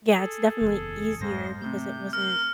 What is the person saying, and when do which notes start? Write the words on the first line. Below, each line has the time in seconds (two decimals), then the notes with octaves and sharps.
yeah, it's definitely easier because it wasn't,
0.16 G#4 A4
0.61 F#1 E2
1.21 F2 G#2 G#3 C5 A#6
1.62 C3 A3 C4 G6
2.13 A#4 F6